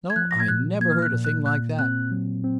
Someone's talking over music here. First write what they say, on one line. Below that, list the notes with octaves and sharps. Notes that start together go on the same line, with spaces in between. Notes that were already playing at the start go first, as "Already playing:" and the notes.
"No; I never heard a thing like that!"
G#6
F3 F#6
A#6
G#6
A#2 F#6
A#3 G#6
F6
F#6
A#2
F#6
A#2 F#6
C4 F#6
F#3
C4